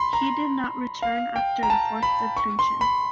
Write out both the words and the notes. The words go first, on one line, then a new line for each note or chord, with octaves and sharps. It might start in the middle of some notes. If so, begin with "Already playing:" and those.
He did not return after the fourth detention.
Already playing: B5 C6
A#5
F5
G5
A#5
A5
B5
C#6
C6
B5